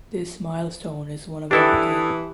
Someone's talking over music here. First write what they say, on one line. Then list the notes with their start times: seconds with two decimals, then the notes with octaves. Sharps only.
This milestone is one of empathy.
1.51 E3 D4 E4 G4 A4 B4 A5 D#6